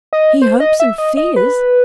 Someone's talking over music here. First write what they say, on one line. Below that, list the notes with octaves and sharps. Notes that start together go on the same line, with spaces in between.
'He hopes and fears.
D#5
C5
D#5
E5
D#5
D#5
B4